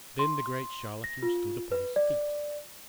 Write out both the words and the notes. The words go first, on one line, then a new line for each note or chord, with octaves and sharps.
Then the great charlatan stood upon his feet.
C6
A#6
F4
B4
D5